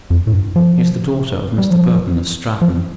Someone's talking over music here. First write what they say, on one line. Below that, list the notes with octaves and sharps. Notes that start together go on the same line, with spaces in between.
"She is the daughter of Mr. Burton of Stratton."
F2
A2
G2
F3
G3
F3
F3